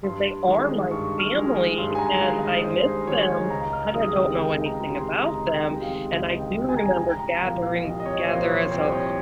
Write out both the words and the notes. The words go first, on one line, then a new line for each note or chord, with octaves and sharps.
'cause they are my family, and I miss them, and I don't know anything about them. And I do remember gathering together as a
G2 C6
D#3 G#3
G2 C#6
F6
D#3 G#3
G2 C6
G#5
A#5
D#3 G#3 F5
D#5
G2 C5
D#3 G#3 C#5
C#2 A#5
F6
C3 D#3 G#3 D#6
G5
C#2 G5
A#5
C3 D#3 G#3
C6
C#2 A#5
G5
C3 D#3 G#3
F5
C#2 F5
G5
C3 D#3 G#3
G#5
A#5
G#5
C2 A#5
A#5
A#2 F3 A#3
F5
C2 D#5
D#5
C#5
A#2 F3 A#3 C5
C#5
C2 C5
C#5